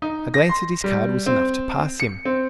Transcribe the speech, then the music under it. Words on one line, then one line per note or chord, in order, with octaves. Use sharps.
A glance at his card was enough to pass him.
D#4
A#6
C6
G3
C4
C#7
C4